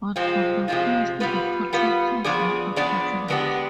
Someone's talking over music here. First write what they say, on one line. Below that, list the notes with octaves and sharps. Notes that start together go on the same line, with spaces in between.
But from the first the contractors were unfortunate.
C3 F3 G#3 C4 F4
C3 F3 G#3 C4 F4
G3 B3 F4 B4
G3 B3 F4 B4
F3 B3 D4 G#4 D5
F3 B3 D4 G#4 D5
D3 G#3 B3 D4 G4